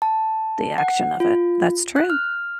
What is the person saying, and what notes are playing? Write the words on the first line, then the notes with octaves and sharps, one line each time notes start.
The action of it. That's true.
A5
F#5
F4
F#6
F6